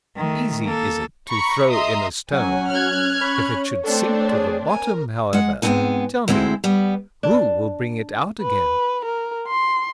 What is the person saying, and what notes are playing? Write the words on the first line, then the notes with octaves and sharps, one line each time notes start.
Easy is it to throw in a stone: if it should sink to the bottom, however, tell me, who will bring it out again?
D#3 A3
A#3 A4
A#5 B5 C#6
D#5 E5 A#5 C6 D#6
F#3 C#4 F#5 G#5
F6 F#6 G#6
C#5 B5
A3 C4 D4 A4 D5
G#4
A#4 G#5
G#3 F#5
G#2 G#3 B3 C4 D#4 G#5
D2 G#3 C4 E4 C5
G3 B3
D4
B4
A#4
C6